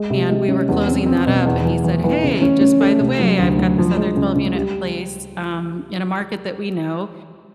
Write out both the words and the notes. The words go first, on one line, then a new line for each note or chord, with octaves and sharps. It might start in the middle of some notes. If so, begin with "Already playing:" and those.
and we were closing that up and he said, "Hey, just by the way, I've got this other twelve-unit place," um, in a market that we know,
Already playing: G#3
C3
G#3
C#4
E2
C4
C4
B2
E2
E3
E3
E3
C#3
C#4
C#4
A3
C3
F#3
D2
F#3
F3
G#3
C#3
C#3
G3